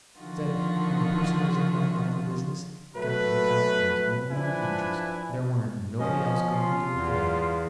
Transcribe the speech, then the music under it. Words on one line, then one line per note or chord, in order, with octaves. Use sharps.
Said when a person was in that line of business he'd got to look out for his own intrust, there warn't nobody else going to do it for him.
D3 D#3 F3 D#4 F4 F#4
F#3 A3 B4
F3 D4 E4 B4 G#5
F3 C#4 D#5
F4
E2